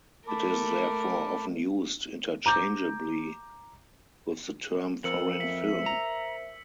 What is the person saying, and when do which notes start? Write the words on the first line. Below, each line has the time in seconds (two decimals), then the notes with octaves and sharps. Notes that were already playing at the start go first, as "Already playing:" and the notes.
It is therefore often used interchangeably with the term foreign film.
0.28 A3 A#4 A5 B5 D6
2.46 A#5 D6 G6
5.04 F2 A#4 C5 E6 C#7 F#7
5.40 E5 B6 F#7
5.86 A#5